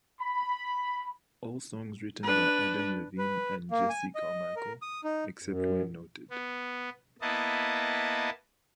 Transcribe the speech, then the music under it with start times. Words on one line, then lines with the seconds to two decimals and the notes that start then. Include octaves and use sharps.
All songs written by Adam Levine and Jesse Carmichael, except where noted.
0.21 B5
2.23 D4 B4
3.18 B4
3.71 A#3
3.89 G#5
4.15 D#5
4.56 A#4
4.82 D#6
5.04 D#4
5.42 F#2
6.30 B3
7.21 A#3 B3 E4 D#5 A5